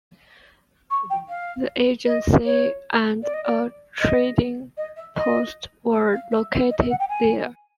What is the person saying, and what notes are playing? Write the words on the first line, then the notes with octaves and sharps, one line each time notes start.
The agency and a trading post were located there.
C#6
G5
F5
D#5
C#5
D5
D#5
D5
D#5
D#5
E5
D#5
E5
F5
E5
E5
D#5
E5
F#5
G5
G#5